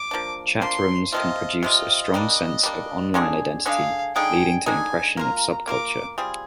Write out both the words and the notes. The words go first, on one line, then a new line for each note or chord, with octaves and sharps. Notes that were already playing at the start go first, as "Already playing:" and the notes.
Chatrooms can produce a strong sense of online identity leading to impression of subculture.
Already playing: D6
F3 A#3 D4
F3 A#3 D4 C6
C3 F3 C4 F4 D#5
C3 F3 C4 F4 D#5
G3 A#3 D4
G3 A#3 D4
D3 G#3 D4 G#4
D3 G#3 D4 G#4 F5
D3 G#3 D#4 G#4 G5
D3 G#3 D#4 G#4 G#5
A#3 F4 A#4 A#5
A#3 F4 A#4 D6
G3 C4 F4 G#4